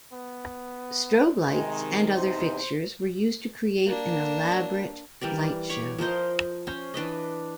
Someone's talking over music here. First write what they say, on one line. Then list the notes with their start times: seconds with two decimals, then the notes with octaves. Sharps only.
Strobe lights and other fixtures were used to create an elaborate light show.
0.13 B3
1.49 C3 D#3 G#3
2.16 E2 C3 D#4 C5
3.86 A#3 D4
5.21 E3 G3 A#4 D5
5.69 C#5 B5 C#6 D6
5.98 F3 A#4 C5 D#5
6.67 C#4 C5
6.94 E3 D4 B4 D#5